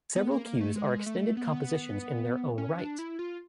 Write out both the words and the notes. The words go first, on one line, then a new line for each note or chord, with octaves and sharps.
Several cues are extended compositions in their own right.
B3
A#3
A#3
A3
G#3
A3
B3
A#3
B3
C#4
D4
E4
F4